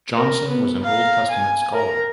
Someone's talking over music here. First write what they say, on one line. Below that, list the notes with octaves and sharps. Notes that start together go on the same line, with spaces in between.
Johnson was an Old Testament scholar.
A#4
B3
F5 A#5
G#5
A#4 A#5